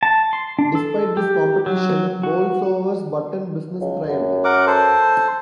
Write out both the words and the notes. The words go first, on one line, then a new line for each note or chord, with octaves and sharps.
Despite this competition, Boulsover's button business thrived.
A5
C6
D4
A4
G4
F#3
F#4
C#2
F#2
A#4 F#5 D6
A4 C5